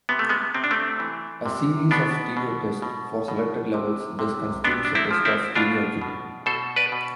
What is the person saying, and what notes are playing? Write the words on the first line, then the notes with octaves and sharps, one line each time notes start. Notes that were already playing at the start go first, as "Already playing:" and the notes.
A series of stereotests for selected levels thus constitutes a test of stereoacuity.
C3 B3
A3
G#3 B3
C3 C4
D4
A3 C4
E3
C3
B2 B3 D4
B2
B2
B2
C3
C3
C3 B3 D4
D4
C4 E4
F3
C4 E4
B2 D4 F4
B2
B2 A4 C5
B4 D5
B2